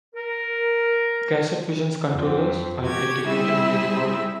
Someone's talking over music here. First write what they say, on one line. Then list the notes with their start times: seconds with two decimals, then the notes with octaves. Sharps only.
Cassette Vision's controllers are integrated into the body.
0.15 A#4
2.11 F2
2.84 F#4 G4 G#6
3.26 G3 C4 E4 G#4 E5